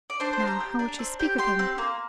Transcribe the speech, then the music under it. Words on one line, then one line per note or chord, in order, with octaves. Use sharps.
"Now, how would she speak of him?"
D5
D4 C5
C5
G4
A#5
G4
D4
C4
G4
G4 C6
C4
A#3